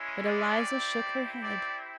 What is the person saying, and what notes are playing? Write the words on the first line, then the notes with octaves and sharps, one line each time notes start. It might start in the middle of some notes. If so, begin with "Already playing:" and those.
But Eliza shook her head.
Already playing: G#3 C#4 E4
D5
C4 E4 G4
D5